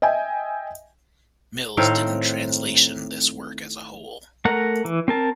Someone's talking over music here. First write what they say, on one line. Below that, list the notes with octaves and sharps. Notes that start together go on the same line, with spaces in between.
Mills didn't translation this work as a whole.
D#5 E5 G5 G#5
A2 D#3 C4 F5
A3 A#4 F#5 A#5
E3
C4 A#4 A5